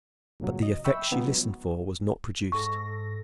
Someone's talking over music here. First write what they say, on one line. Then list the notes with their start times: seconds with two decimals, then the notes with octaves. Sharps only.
But the effect she listened for was not produced.
0.40 G2 A#2 C#3 F#3
0.63 D#5
0.85 E5 G5 B5 C#6 E6
1.11 C#3 G#3 B3 D#4 F4
1.27 F#3
2.52 G#2 A4 C#6 A#6